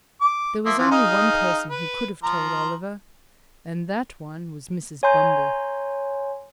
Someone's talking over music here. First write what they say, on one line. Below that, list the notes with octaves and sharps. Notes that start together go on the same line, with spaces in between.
There was only one person who could have told Oliver, and that one was Mrs. Bumble.
D6
F3 A#3 E5
E3 F3 F4
D#4 G#4 F5
B4
F3 A#5
C#5 G#5 A#5 C6 G6